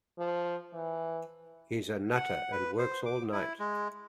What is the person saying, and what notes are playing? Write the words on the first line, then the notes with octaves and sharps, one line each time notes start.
He's a nutter and works all night.
F3
E3
F#5
B4
C5
D6
E4
G#3